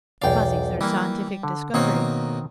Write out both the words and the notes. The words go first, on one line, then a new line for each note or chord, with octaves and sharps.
The Fuzzies are a scientific discovery.
B1 E2 D5 F5 G5
E3 G3 A#3
D3
B2 D#3 A#3 C4 C#5